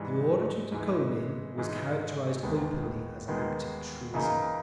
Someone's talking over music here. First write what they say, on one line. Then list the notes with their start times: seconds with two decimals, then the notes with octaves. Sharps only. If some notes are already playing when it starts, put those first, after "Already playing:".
The order to Dukhonin was characterised openly as an act of treason....
Already playing: G#2 E3 G3
0.72 G#2 E3 G#3
1.58 G#2 E3 G#3
2.43 D#2 D#3 G#3 B3
3.28 D#2 D#3 G#3 B3
4.14 C#3 E3 A#3 D#4 G#4